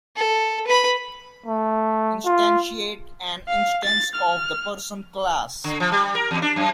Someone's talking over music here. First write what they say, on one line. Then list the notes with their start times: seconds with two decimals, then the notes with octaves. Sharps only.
Instantiate an instance of the Person class.
0.16 A4
0.67 B4 B5
1.46 A3
2.25 F4
3.48 F5
3.85 A6
4.15 F6
5.64 D3
5.80 F3
5.92 G3
6.15 A#4
6.31 E2
6.42 D4
6.56 F#2